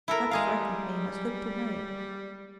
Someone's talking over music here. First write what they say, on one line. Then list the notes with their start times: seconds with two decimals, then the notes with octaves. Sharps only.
That frightened me, and I slipped away.
0.08 E4 A4 A#4
0.31 G#3 G#4 A#4 F5
0.46 G3